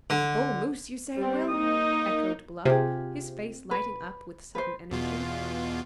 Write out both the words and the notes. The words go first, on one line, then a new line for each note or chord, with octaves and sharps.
"A bull moose, you say, Will?" echoed Bluff, his face lighting up with sudden energy.
D3
G3 C4
A#3 D#4 D#6
C3 F4 G4 G#4
B4
B4 C5
E2 B2 F4